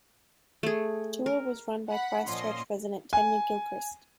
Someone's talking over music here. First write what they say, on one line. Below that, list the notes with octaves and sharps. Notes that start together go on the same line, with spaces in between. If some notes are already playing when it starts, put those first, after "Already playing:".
The tour was run by Christchurch resident Tania Gilchrist.
A3 G#4
A#4
F#5 B5
A#2 F3 C#4 D#5 C6
G#5